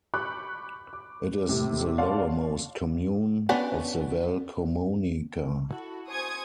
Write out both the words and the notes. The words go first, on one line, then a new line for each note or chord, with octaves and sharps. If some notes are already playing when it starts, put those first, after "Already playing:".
It is the lowermost commune of the Val Camonica.
B5 C#6 D6 F#6 G6
D6
A2 C3
C#5 D5 F5 F#5 A5 C6
B3 C#4 D4
E4 F#4 A4
C5 G#5 C#6 D#6 G#6